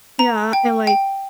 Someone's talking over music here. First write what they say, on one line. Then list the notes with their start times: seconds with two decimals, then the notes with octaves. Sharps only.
Yeah, and, like,
0.19 A#5
0.53 G5
0.87 G5